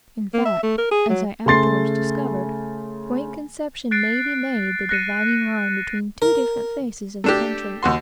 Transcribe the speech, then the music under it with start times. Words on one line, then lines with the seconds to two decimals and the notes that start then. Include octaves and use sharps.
In fact, as I afterwards discovered, Point Conception may be made the dividing line between two different faces of the country.
0.34 A#3
0.46 E5
0.63 A3
0.78 A#4
0.91 G#4
1.10 F#3
1.46 C#3 A3 C6 A6 C7
3.91 F#6 A6 C7 D7
4.89 F#6 A#6 C#7 D#7
6.22 A#4
7.24 A3 D4 G4
7.83 D#2 F#4 C6